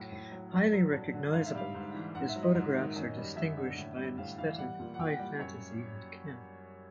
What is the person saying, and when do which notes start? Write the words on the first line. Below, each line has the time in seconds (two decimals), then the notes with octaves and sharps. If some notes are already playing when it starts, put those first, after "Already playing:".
Highly recognizable, his photographs are distinguished by an aesthetic of high fantasy and camp.
Already playing: A2 F#3
0.12 A2
0.32 F#3
0.53 G2
0.73 F#3
0.93 G2
1.14 D3
1.33 G#2 F5
1.46 E5
1.55 G3 F5
1.75 G#2
1.94 E3
2.15 G#2 F#5
2.29 E5
2.36 F#3
2.43 D#5
2.55 G#2
2.76 D#3
2.96 F#2
3.17 G3
3.36 F#2 E5
3.57 D3
3.78 A2
3.98 G3
4.18 A2 F5
4.38 E3 F5
4.58 G3 F#5
4.80 A#2
4.94 F#5
4.99 A#2 G5
5.12 F#5
5.19 G3
5.39 F#2 C#5